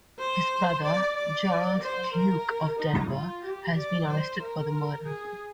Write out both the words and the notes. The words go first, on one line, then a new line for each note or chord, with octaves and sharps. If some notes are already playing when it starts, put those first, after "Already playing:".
His brother, Gerald, Duke of Denver, has been arrested for the murder.
C5
D5
D5
C5
A#4
D#4
F4
G4
D5
C5
A#4
G#4